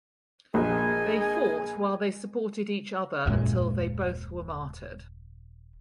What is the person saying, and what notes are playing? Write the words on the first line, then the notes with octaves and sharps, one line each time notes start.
They fought while they supported each other until they both were martyred.
A#1 G#4 D#5 G#5
D#1 F#2 A#2 G#3